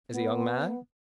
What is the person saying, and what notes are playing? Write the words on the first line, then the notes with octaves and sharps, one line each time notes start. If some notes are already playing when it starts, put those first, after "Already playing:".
"As a young man?"
B3